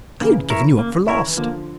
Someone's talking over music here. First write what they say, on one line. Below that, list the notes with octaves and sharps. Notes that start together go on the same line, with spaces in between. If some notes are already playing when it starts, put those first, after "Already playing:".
I had given you up for lost.
C#3 E3 A#3
E4 A#4 C#5
A#3
E4 A#4 C#5
E3
D3 F3 A#3